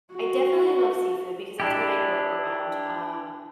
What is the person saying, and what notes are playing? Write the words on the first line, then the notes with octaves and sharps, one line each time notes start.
I definitely love seafood because that's what I grew up around, um,
F#4
D4 E4 G4